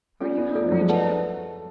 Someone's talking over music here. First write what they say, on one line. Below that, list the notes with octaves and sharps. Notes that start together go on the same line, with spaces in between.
"Are you hungry, Jap?"
C#4 F4 A4 D5
B3
A3 F4 A4 D5
F3
F#3
G#3
A3 B4 D5 F#5 A5